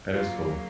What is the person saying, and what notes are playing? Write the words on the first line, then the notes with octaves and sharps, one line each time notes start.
That is cool.
C#3 F#3 A#3 F4